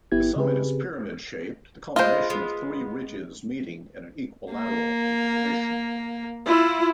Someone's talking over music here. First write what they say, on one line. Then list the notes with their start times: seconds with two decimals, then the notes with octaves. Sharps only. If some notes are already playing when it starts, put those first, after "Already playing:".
The summit is pyramid-shaped, the culmination of three ridges meeting in an equilateral configuration.
0.12 G1 B3 E4 G4 G#6
0.36 C#3 C4 G4 G#4 B4
1.96 G#3 F4 B4 C5 D#5
2.30 G#3 B3
4.53 A#3
6.47 E4 F4